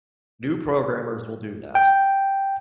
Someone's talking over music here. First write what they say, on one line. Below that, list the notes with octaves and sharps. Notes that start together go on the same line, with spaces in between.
New programmers will do that.
G5